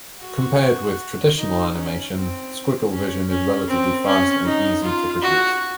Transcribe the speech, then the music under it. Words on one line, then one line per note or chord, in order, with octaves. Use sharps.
Compared with traditional animation, Squigglevision is relatively fast and easy to produce.
F#4
D#4
C#4
C4
C#4
C#4
C4
C#4
D#4
F4
F#4